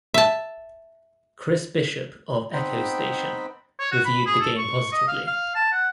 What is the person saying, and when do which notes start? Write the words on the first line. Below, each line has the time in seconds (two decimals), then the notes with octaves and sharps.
Chris Bishop of "Echo Station" reviewed the game positively.
0.14 E5 A5
2.53 B3 C4 D#4 C5 G5 B5
3.79 C#5
3.91 F#4
4.05 B5
4.26 G#4
4.41 A4
4.58 C#6
4.92 D#5
5.08 F5
5.27 F5
5.55 A5
5.72 F#5